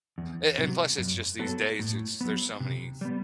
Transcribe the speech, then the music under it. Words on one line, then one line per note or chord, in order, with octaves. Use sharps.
eh, and, plus, it's just these days, it's there's so many
E2
C3 F#3
F#2
F#3 B3 F#4 A4
A2
F#3 B3
C3
G3 B3